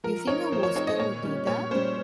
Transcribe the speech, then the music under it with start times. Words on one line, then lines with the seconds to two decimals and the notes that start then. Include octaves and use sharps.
You think a Wooster would do that?
0.04 F3 A#4
0.27 C4 D#4 C#5
0.52 F3 C5
0.63 C#5
0.75 C4 D#4 C#5
0.87 D#5
1.00 A#2 C#5
1.23 G3 C#4
1.47 A#2 C#5
1.71 G3 C#4 C5